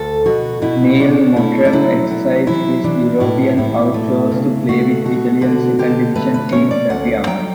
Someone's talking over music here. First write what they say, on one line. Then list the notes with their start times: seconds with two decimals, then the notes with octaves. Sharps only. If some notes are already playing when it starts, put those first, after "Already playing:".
Neil Mottram exercised his European out clause to play with Italian second-division team Fabriano.
Already playing: D2 A4
0.26 B2 F#4
0.62 B2 E4
1.00 C#4 D4
1.36 A3 E4
1.65 D4
1.73 F#3 E4
2.10 F#3
2.47 E3 E4
2.84 E3 D4
3.20 A2 E4
3.57 A2 E4
3.94 A3
4.32 C#3
4.69 A3 F#4
5.05 B2 F#4
5.41 D3 F#4
5.79 D3 G4
6.15 A3 B4
6.34 B4
6.52 C#4 C#5
6.71 D5
6.90 D2 F#5
7.27 F#3 G5